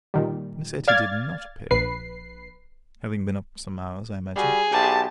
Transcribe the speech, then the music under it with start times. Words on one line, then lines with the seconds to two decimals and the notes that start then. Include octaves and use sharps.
Miss Etty did not appear, having been up some hours, I imagine.
0.14 A#2 D#3 G3
0.88 D5 F5 F6 G#6 A6
1.71 A#1 B4 C7
4.36 G3 F#4 G#4
4.72 B1 G4 A5